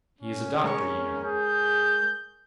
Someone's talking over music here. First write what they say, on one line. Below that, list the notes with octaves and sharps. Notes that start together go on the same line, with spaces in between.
He is a doctor, you know.
C#4
G#3 A#4 C#5
G#4 G6